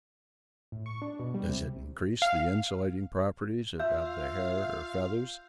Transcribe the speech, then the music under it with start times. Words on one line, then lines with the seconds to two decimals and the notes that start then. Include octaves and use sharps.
Does it increase the insulating properties of the hair or feathers?
0.72 A2
0.86 C#6
1.02 D4
1.19 B2
1.34 G3
1.48 C3
2.22 F5
3.80 F4 E5 F5 E6 G6